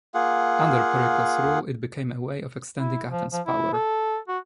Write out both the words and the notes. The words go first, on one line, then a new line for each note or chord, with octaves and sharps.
Under Pericles' rule, it became a way of extending Athens' power.
A#3 F4 G#4 F#5
E4
F3
F3
E4
A4
F#4